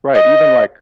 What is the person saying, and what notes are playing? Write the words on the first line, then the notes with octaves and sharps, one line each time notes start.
right, even, like
D#5